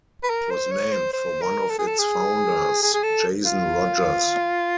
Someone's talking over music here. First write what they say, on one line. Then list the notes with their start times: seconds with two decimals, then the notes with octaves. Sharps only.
It was named for one of its founders, Jason Rogers.
0.23 B4
0.30 A#4
0.51 C5
0.72 C#5
0.92 C5
1.13 C5
1.42 A#4
1.70 A4
1.78 G#4
1.86 A4
1.98 G#4
2.82 G#4
2.94 G#4
3.03 A4
3.45 F4